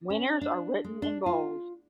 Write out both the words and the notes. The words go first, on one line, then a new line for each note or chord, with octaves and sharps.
Winners are written in bold.
C#4
D4
G#3
D4
F4